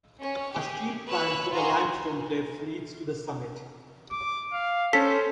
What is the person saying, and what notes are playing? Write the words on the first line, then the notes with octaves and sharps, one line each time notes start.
A steep climb through the limestone cliffs leads to the summit.
C#4
G4 G#4
B4 C#5 E6 F#6
F4 F#4 G#5 A#5 C6
D6
F5
C#4 A4 C5 B6